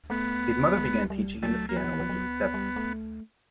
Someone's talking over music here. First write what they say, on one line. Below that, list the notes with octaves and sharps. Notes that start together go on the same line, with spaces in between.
His mother began teaching him the piano when he was seven.
A3 B3
G#3
G3
F#3 A3
A#3
F#3 B3
F3
E3
F3
F#3
G3
A3